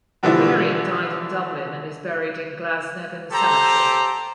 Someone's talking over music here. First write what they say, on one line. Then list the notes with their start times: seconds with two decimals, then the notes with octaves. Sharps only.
Varian died in Dublin and is buried in Glasnevin Cemetery.
0.23 B2 D3 E3 F3 G3 E4
3.32 G4 A4 C5 A#5